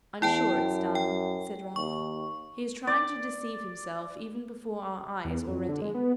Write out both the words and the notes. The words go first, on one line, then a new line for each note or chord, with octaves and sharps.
'I am sure it's done,' said Ralph. 'He is trying to deceive himself, even before our eyes, already.
E2 E4 G5 A5
F#2
G5
D#2 C#6
D5
E2
F2
D3
G#3
B3